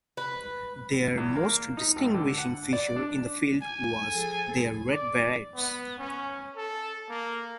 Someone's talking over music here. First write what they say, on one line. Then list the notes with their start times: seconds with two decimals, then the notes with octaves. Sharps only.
Their most distinguishing feature in the field was their red berets.
0.17 B4
1.18 E2
1.36 A#3
1.77 D#4
1.96 G#1
2.14 D3
2.38 F#5
2.73 D5
2.96 D4
3.62 G#5
4.11 F3 G#4 A4
4.91 D5
5.55 B3
5.98 C#4
6.56 A4
7.09 A#3